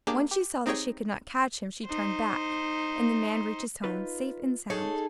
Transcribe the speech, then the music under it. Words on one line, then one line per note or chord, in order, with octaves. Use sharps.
When she saw that she could not catch him, she turned back, and the man reached his home safe and sound.
A#3 D4 G4 G#4
G4
C4 D#4 G4 G#4 C#5 G5
D#4 C5
D#4 F4 B4
D#4 G#4 A4 C#5